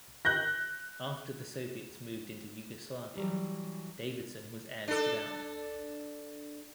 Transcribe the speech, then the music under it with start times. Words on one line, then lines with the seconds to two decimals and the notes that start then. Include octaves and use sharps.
After the Soviets moved into Yugoslavia, Davidson was airlifted out.
0.25 F#6 G6 A#6
3.17 E3 F#3 G3
4.88 D4 A4